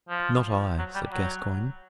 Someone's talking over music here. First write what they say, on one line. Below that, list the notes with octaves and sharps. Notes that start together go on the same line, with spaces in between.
"Not I," said Gascoyne.
F3
F#3
G3
F#3